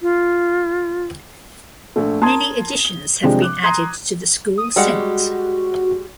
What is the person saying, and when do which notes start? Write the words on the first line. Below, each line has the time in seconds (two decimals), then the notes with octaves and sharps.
Many additions have been added to the school since.
0.02 F4
1.96 A#1 A3
2.21 A#4 A5 A#5 C6 D#6 G#6
2.85 G7
3.23 C3 F3 G#3 C4 D4 G4
3.42 D6 F#6
3.63 A#5 C6 D#6 G#6
4.58 D#6
4.76 G3 G#3 F#4 F#5